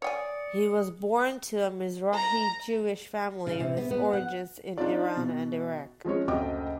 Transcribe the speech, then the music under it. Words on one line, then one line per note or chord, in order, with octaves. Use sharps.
He was born to a Mizrahi Jewish family with origins in Iran and Iraq.
C#5 D5 G5 G#5 D#6 C#7
A#5
C#3
C3
B3
B3
F#5
D4 D#4 F4 D5
B2
F3 G#3 C#4 C#5
F#1 D2 A4 D#5 G5 D6